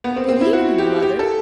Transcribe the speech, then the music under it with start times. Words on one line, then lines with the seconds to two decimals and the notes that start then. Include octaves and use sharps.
'Good evening, mother.
0.04 B3
0.16 C4
0.29 C4
0.41 E4
0.53 F#4
0.78 G4
1.02 G4
1.19 A4